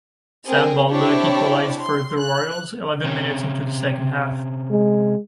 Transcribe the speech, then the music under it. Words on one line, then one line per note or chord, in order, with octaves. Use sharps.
Sam Baldock equalised for "the Royals" eleven minutes into the second half.
C4 G#4 A#4
C4 D4 E4 G4 C#5 D5
C6
F#6
C3 C#4
G#3